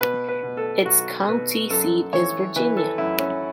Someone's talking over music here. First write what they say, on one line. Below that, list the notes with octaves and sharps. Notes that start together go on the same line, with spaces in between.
Its county seat is Virginia.
B2 B4
B4
B2
A4
B1 F#4
B2 B4
F#2 A4
E3 C#5
E3 B4
A4
F#2 E4
C#4